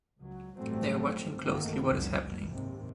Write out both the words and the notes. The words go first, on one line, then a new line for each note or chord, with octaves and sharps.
They're watching closely what is happening.
C#2 F#3
A1 G2 F#3 G3 A3 C4
G2 D3 D#3 A3 A#3
G#1 C#2 F#2 F#3
D#2 G#2 C3